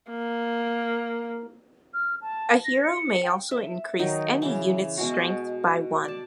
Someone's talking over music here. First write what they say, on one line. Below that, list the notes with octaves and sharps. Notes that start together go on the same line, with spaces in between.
A hero may also increase any unit's strength by one.
A#3
F6
A5
A#6
C#7
G5
E5
D#3 F#3 D#4
C#3 E3
B2 G#3 F#4
D5 A5